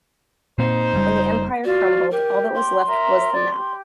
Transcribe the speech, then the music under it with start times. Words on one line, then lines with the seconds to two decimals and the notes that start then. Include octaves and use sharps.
When the Empire crumbled, all that was left was the map.
0.58 A#2 A#3 C4 D#4 C5
0.93 F#1 C#3 G3
1.65 F4 F#4 D5
2.11 G4 A#4
2.55 C6
2.87 A#4 E5 A#5
3.32 D5
3.57 G4